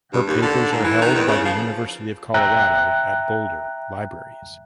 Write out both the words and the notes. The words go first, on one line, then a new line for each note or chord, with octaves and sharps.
Her papers are held by the University of Colorado at Boulder Libraries.
G2
D#2
D3
G#2
E3
D#3
E2
C#3
F3
E5 G5 A#5 F#6